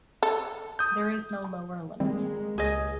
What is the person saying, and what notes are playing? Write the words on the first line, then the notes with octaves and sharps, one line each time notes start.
There is no lower limit.
A4
D#6 G6
D#3 G3 G#3 A#3 C4
C#2 G#4 D#5